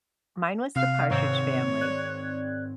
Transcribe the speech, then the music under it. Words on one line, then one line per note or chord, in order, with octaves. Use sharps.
Mine was The Partridge Family.
C3 F5 F#6
G#2 D#3 C4 C#5
D5 F#6 G#6